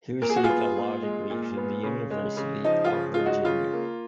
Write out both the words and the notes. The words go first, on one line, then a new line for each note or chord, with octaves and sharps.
He received a law degree from the University of Virginia.
A#2 A#4
G#4
F#4
F4 G#4
B3
A#2
G#3
A#2
B3
C#3
G#3
C#3
F3 D#4
F4
C#3
G#3 F4
D#4 F#4
C#3 F4
A#3